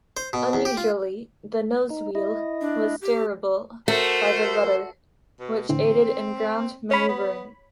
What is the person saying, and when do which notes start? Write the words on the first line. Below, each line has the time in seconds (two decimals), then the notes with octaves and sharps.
Unusually, the nosewheel was steerable by the rudder, which aided in ground maneuvering.
0.17 C5
0.33 B2
0.53 E2
0.65 G4
0.77 F4
1.90 D#4
2.15 E4 D#5
2.61 D4
3.02 G4
3.88 A3 F#4 A#4 C5
5.40 B2
5.69 A2 D3 E3 C4
6.91 C#4 C#5 B5
7.09 B3